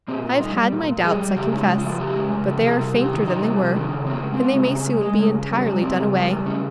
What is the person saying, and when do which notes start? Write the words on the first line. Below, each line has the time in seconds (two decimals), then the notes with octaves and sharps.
I have had my doubts, I confess; but they are fainter than they were, and they may soon be entirely done away.
0.08 A#2 C4
0.24 A#2
0.40 G3 D#4
0.57 G3
0.72 A#2
0.88 A#2
1.04 G3 G#4
1.20 G3
1.36 C#3 G4
1.52 G#3
1.57 D#4
1.68 C#3
1.78 F4
1.84 F3
2.00 C#3 G4
2.16 G#3
2.32 C#3
2.48 F3
2.64 C3 G#4
2.79 G3
2.96 C3 G4
3.11 D#3
3.27 C3 D#4
3.43 G3
3.59 C3
3.75 D#3
3.91 C#3
4.06 C#3 C4
4.13 A#3
4.23 G#3
4.34 C4
4.39 G#3
4.55 C#3
4.70 C#3
4.86 G#3
5.03 G#3
5.19 C#3
5.35 C#3
5.50 G3
5.66 G3
5.82 C#3 C4
5.98 C#3
6.14 G3
6.30 G3
6.46 C#3 C#4